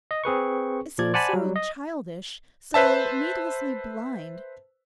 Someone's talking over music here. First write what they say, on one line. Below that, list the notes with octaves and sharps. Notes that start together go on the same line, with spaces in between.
It seems so childish, so needlessly blind.'
D#5
C4 G#4 B4 C#6
A#2 F3 D5 G#6
C5 D5 F#5 G#5 A5 B5
F#3 G3
D#5
B4 C5 E5 A5